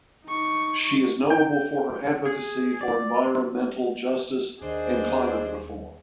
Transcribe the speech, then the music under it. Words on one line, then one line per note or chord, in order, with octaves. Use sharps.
She is notable for her advocacy for environmental justice and climate reform.
D#4 C#6
G5
G#4
D5
D#2 D4 G#4 C5 D#5